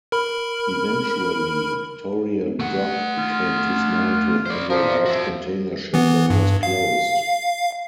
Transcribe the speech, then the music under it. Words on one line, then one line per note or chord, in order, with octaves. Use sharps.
Eventually Victoria Dock became too small to handle large container ships and was closed.
A#4 B5
A3 F#5
F4
C5 D5
F3 A#4 D5
F#4 E5
E3 B3
G2
F5